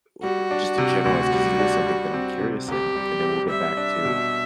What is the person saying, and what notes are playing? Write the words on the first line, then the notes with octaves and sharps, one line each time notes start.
uh uh uh, just to generalize 'cause it is something that I'm curious in, and then we'll get back to
G3 F#4
D4
C3
D2
G3
D4
G3
C4
C3
C2 G4
G3
C4
G3 E5
D4
B2